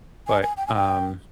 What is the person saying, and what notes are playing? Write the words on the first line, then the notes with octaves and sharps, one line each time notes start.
But, um
G#5
G#5
G5
G#5
G5